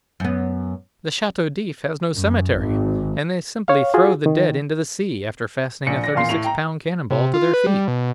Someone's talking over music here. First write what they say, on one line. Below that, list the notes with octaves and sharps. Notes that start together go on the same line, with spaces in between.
"The Chateau d'If has no cemetery, and they simply throw the dead into the sea, after fastening a thirty-six pound cannon-ball to their feet."
F#2 B3
F#2
G#1
C#5 F5
F4 F#4 G#4
D#3
A#1 C#7
D5 A#6
E2 A#2 F5 C6 C7
A2 F7
G5 A#5
C3
F4
B4
G3
B2